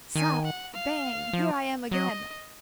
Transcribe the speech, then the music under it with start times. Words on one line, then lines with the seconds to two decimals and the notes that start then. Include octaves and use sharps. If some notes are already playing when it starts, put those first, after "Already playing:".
'Slap! bang! here I am again!
0.15 D#3 G#5
0.45 F#5
0.74 F5
1.33 F3
1.91 F#3 D#5